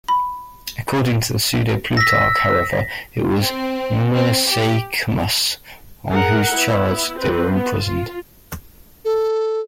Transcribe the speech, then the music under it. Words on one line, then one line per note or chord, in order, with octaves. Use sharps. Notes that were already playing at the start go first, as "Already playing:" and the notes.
According to the Pseudo-Plutarch, however, it was Menesaechmus on whose charge they were imprisoned.
B5
E6 A#6 B6
C4
C4
G4
G#4 A#4 F#5
B3 E4
C4 B4
B3
F4
A4